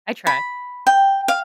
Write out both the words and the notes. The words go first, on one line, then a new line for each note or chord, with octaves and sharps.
I try.
B5
G5
F5